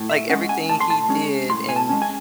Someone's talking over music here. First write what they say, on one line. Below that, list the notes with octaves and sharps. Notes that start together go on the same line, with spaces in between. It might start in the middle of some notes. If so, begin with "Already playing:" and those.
like, everything he did and,
Already playing: A2
E5
G#3 C#4 F#5
G#5
A2 A5
C6
A5
G#3 C#4
A2 C6
G#5
A5
G#3 C#4
G#5